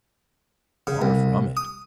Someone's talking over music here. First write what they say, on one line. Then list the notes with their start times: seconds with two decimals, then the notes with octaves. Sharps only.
Far from it.
0.87 C#3
1.02 C2
1.57 D#6